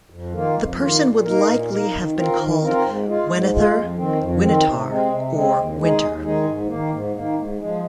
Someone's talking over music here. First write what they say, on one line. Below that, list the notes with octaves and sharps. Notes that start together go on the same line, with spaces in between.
The person would likely have been called "Wenether", "Winitar" or "Winter".
F2
D#3 A#3 F4
F2
D#3 A#3 F4
A#2
A#3 D#4 A#4
A#2
A#3 D#4 A#4
D#3
C4 F4 A#4
D#3
C4 F4 A#4
G#2
G#3 F4
G#2
G#3 F4
F2
D#3 C4
F2
D#3 C4
C3
G#3 C4
C3
G#3 C4
D#2
D#3 G#3 D#4 G#4
D#2
D#3 G#3 D#4 G#4
G#2
D#3 A#3
G#2
D#3 A#3
G#2
F3 G#3